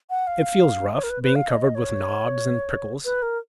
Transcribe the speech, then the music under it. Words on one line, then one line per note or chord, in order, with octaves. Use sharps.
It feels rough, being covered with knobs and prickles.
F#5
F5
C#5
A#4
B4
B4
F5
D#5
C#5
B4
A#4